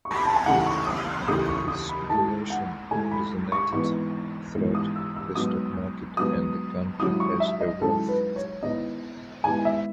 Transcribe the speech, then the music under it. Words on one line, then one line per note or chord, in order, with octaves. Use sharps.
This speculation resonated throughout the stock market and the country as a whole.
C#6
B5
A5
G#5
D#2 C#3 E3 A3 D#4 F#5
C#6
D#6
D#2 C#3 E3 A3 D#4 D#6
C#6
D#6
B5
G#2 D#3 A3 E4 A5
F#5
G#2 D#3 A3 E4 G#5
B5
C#6
G#1 G#2 E3 B3 D#4 C#6
G#1 G#2 E3 B3 D#4
D#6
E6
E6
G#2 F#3 B3 D#4 D#6
G#2 F#3 B3 D#4 D#6
G#2 D#3 F#3 C#4 E4 D#6
C#6
E5
D#5
G#2 D#3 F#3 C#4 E4 A4
B4
C#5
G#2 D#3 G#3 B3 E4 D#5
G#2 D#3 G#3 B3 E4 G#5
E5